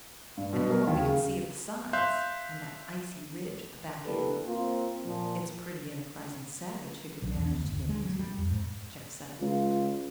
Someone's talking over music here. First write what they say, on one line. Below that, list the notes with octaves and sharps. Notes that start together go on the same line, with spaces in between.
And from what we could see of the sides--and that icy ridge at the back end--"It's a pretty enterprising savage who would manage to get into it," Jeff said.
G2
B2
A#4
D#2
C#3
E5 F5 C6 F#6 G6
A#3 D4 E4 G4 A4 B4
A#3 C4 F4
A#2 F3
B1
E2
D2
G1
D2
G#3
F#3
G3
F2
G#2
C#2 F4